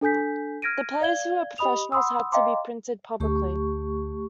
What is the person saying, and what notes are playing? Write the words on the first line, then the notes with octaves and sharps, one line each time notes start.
The players who were professionals had to be printed publicly.
D4 A4 G#5 G6 B6
F6 G#6 A#6 D7 D#7
D5 F5 G#6 G7
G4 D#5 B5 D#6 F7
F#5 B5 C6 D#6 E6
D#5 F5 G5 A#5 C6 D6
D2 A3 G4 C#6